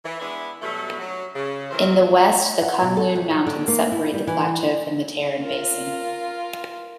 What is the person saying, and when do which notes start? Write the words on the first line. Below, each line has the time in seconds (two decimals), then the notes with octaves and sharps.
In the west the Kunlun Mountains separate the plateau from the Tarim Basin.
0.05 E3
0.20 G#3 B3 D4 E4
0.61 B2 F#3 G3 A3
0.99 F#3
1.34 C#3
1.71 A2 E3 F#3 A#4 C5
2.62 F#5
2.82 B2
2.97 A4
3.15 D#2
3.31 F#3
3.46 D3
3.68 A#3
3.92 E4
4.14 G3
4.27 E3
5.41 F4 A#4